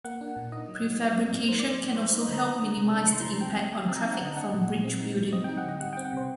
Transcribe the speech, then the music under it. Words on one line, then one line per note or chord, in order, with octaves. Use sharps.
Prefabrication can also help minimize the impact on traffic from bridge building.
A#3 F#5
D4
A#2
D#4 D#5
F#3
F#3
A3
C4
A2
D#4 C5
F#3 D5
C5
F#3
A#3 C5
D#4 C5
D#5
D3 A#5
A#3
D4
C3
D4
D#3 C6
D#3 A#5
A5
C4 G5
F#3
F#3
C4 A5
A#5
D#4 A5
F#5
D3 D#5
D4 F#5
A#2
A#2
C4
D#4
A2
C4 D#5
D#4 G5
F#5
D3 D#5
G3 F#5
C4 G5
F#5
C3 C5